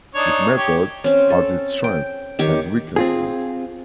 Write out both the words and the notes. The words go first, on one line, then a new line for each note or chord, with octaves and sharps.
This method has its strengths and weaknesses.
D4 D#4 C#5
G4 C#5
C4 C#4
A4
G5
D#3 G4 C#5
C4 F4 G#4